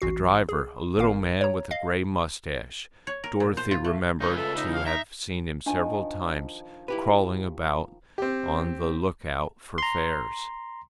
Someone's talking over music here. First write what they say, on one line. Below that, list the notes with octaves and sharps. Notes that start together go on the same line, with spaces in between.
The driver, a little man with a grey moustache, Dorothy remembered to have seen him several times "crawling" about on the look-out for fares.
A1 F#4 C7
G#4
G#1 A#4 F5
C#5 A#5
D#5 F5
C#5
A#4
A#2
C5
F4
A3
C#3 D#4 F4 B4 C#6
A4 E5
D#4
F5
D#4 E5 A#5
D#3 F3 D4 A5
E4 G4 B4
C4 G4
A#5 C6